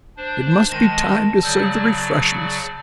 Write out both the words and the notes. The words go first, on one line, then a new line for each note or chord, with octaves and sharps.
It must be time to serve the refreshments.
D4 C5
D#3 G#3 A5 A#6 E7
C#3 F#3 D5 E6 G6